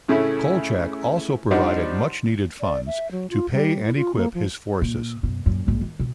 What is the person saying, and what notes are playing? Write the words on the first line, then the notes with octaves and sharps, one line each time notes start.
Kolchak also provided much-needed funds to pay and equip his forces.
A2 C#3 A3 C#4 E4
F3 G3 D4 D#4 F#4 C5
D5
E5
F#3
F4
G3
E4
F4
A#3
F3
A#2
F#2 B2
F#2 A#2
A#1 G#2
D#3
B2